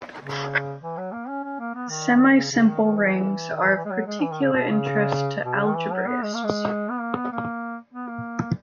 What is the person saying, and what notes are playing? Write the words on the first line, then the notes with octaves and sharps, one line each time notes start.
Semisimple rings are of particular interest to algebraists.
C#3
E3
F#3
A#3
C#4
C#4
A#3
B3
D#3
C#3
C#3
D#3
D#3
E3
D#3
E3
E3
G#3
F#3
G#3
E3
D#3
C#3
B2
C#3
B2
C#3
D#3
E3
F#3
B3
G#3
A#3
G#3
B3
A#3
B3
A#3
B3
A#3